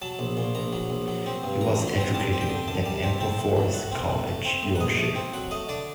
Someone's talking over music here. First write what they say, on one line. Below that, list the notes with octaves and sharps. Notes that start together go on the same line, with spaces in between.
He was educated at Ampleforth College, Yorkshire.
F#3 A5
A#1
A#2
A#1 A#5
F#3
A#1
F#3
C4
G2
A1 A#5
F#3 A#5
C6
C4 A#5
G3 A5
C4
G5
D3
F#2 A5
G3 A5
C4 A5
C4 A5
A2
F#3
A2 F#5
C4
A2
A3
C4
A2
F#5
A#1 D#5
A3
C4
F#3 F#5
A3 D#5
D3 D5